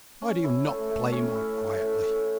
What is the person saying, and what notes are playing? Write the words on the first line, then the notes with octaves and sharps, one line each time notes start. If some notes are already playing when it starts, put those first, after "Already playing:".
Why do you not play more quietly?
C#4
E4
A3
A3
C#4
E4
A3
A3
C#4